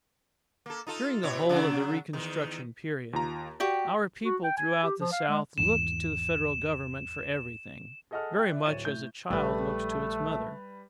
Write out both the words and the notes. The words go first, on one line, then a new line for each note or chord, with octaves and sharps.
During the whole of the Reconstruction period our people throughout the South looked to the Federal Government for everything, very much as a child looks to its mother.
A#3 A4
D#4 F4 A4
B2 E4 C#5
C#3 F#3 D4
E2 D#3
D#2 F4 A#5
F#4 G4 D5 G5
F#4
G5
G#5
G4
F3
F5
G#3
G#1 E2 E7
G#4 A4 D#5 F#5 A5 F6
G5 F#6
D5 E5
D1 C#5 A6 D#7 E7
A2 G6
A#1 G3 A3 B4